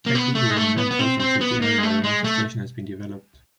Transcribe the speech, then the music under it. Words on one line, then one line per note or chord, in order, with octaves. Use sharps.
Teck Lee will remain closed until the area around the station has been developed.
A#3
B3
A3
G#3
A3
B3
B3
C4
C4
B3
A#3
G#3
A3
G#3
A3